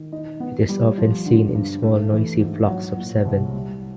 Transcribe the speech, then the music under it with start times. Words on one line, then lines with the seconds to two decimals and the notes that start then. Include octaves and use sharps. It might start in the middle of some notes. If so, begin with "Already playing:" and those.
It is often seen in small noisy flocks of seven.
Already playing: D#3
0.12 D#4
0.40 B3
0.69 G3
0.98 F3
1.26 D3
1.54 G2
1.83 A3
2.12 E3
2.40 G#2
2.68 F#3
2.97 A#2
3.25 C2
3.53 G3